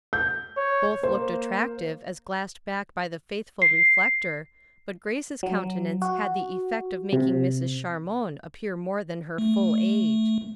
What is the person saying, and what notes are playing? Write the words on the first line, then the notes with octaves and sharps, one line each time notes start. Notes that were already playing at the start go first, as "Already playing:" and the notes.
Both looked attractive as glassed back by the faithful reflector; but Grace's countenance had the effect of making Mrs. Charmond appear more than her full age.
G6
C#5
A#3 C5
C7
F#3
F#4
C3
A3